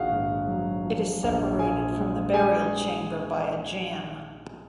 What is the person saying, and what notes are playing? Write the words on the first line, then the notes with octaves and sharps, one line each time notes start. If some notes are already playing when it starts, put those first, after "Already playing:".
It is separated from the burial chamber by a jamb.
Already playing: A#1 D#3 F#4 G#4 F5 F#5
G#2
F#3
F3
A#1
A#2 G#4 G#5
G#3
G#3 G#4 G#5